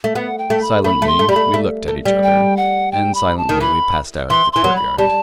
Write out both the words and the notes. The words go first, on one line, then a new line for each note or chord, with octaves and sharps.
Silently we looked at each other, and silently we passed out of the courtyard.
A3
B3 F#5
G5
A3
B5
A3 B5
A3
C6
A3
G3 B5
A3
A3
A3
G3
G5
F#5
G5
B5
A5
D#3
E3 B5
E3 C6
E3 C6
F#3
B5
G3 A5